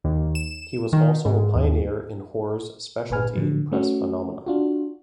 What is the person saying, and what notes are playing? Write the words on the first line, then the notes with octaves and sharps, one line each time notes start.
He was also a pioneer in horror's specialty press phenomenon.
D#2
E7
D#3
G#2
D#2
G1 A#2 B4 G#5 F6
A2 D3 F3 F#3
A3 C#4 F#4
D4 F4 F#4